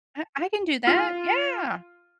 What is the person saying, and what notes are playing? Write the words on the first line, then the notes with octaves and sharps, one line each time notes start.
I I can do that, yeah.
F4